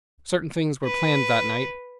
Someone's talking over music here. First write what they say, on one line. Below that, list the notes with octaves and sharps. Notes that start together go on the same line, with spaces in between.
Certain things were planned that night.
B4